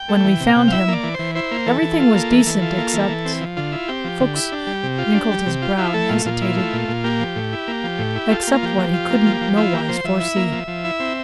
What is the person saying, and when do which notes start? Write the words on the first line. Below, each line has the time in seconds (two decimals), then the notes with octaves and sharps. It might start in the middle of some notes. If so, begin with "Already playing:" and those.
When we found him, everything was decent except,"--Fuchs wrinkled his brow and hesitated,--"except what he could n't nowise foresee.
Already playing: G5
0.08 A3
0.25 E3
0.40 C3
0.56 C3
0.68 F5
0.72 E4 E5
0.88 A#3 D5
1.04 E3
1.14 E3 C5
1.35 E4 C5
1.51 A#3
1.66 E3 A4
1.82 E3
1.99 F4
2.15 A#3
2.31 E3
2.46 E3
2.61 F4
2.77 A#3
2.93 E3
3.09 E3
3.25 C4
3.41 F3
3.57 D3 F4
3.72 E4
3.88 C4 G4
4.04 F3
4.20 D3
4.35 E4
4.52 D4
4.67 G3
4.83 C3
4.98 F4
5.14 D4
5.31 G3
5.46 C3
5.62 F4
5.77 E4 F4
5.93 A3 A4
6.09 A#2 F4
6.25 A#2 F4
6.42 E4
6.57 A3
6.73 A#2
6.88 A#2
7.04 A#3 G4
7.20 F3
7.36 A2
7.53 E4
7.68 A#3
7.84 F3
7.99 A2
8.15 E4
8.30 F4 A4
8.42 G4
8.47 A#3
8.54 F4
8.63 F3 G4
8.78 F3
8.94 F4
9.10 A#3
9.26 F3
9.41 F3
9.57 E4 F4
9.73 A#3 G4
9.89 F3 C5
10.04 F3 E5
10.20 E4
10.36 A#3
10.52 F3
10.68 F3
10.84 E4
11.00 C4